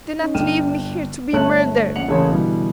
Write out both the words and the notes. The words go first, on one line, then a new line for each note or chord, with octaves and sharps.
Do not leave me here to be murdered!
C#4 D#4
G1 D4 G5 F6 D#7 E7
G1 A3 C#5 A5 F#6 F#7
A#1 C#4 F#5 C#7 F7 F#7
A1 C#3 A#3 A4 C#5 C6
B2 D3 E3 G3